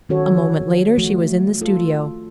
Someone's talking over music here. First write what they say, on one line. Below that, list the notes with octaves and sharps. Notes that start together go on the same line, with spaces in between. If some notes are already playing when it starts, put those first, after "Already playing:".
A moment later she was in the studio.
D#3 C#4 F#4 A4 C#5
F3 A3 F#4
F4 A4